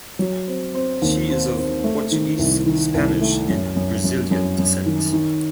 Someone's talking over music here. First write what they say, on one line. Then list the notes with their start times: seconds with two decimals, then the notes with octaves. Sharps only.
She is of Portuguese, Spanish, and Brazilian descent.
0.19 F#3
0.47 C4
0.74 C4
1.02 D#2
1.30 C4
1.57 C4
1.84 A3
2.12 D#3
2.39 C2
2.66 D#3
2.94 C2
3.21 A3
3.49 F#2
3.76 F#2
4.04 F#2
4.31 F#2
4.58 F#2
4.86 D#3
5.13 D#3